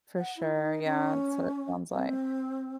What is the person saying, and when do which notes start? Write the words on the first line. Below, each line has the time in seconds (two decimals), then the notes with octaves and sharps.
For sure, yeah, so, that sounds, like
0.17 F#5
0.37 E4
0.53 D#4
0.84 C#4
1.92 C4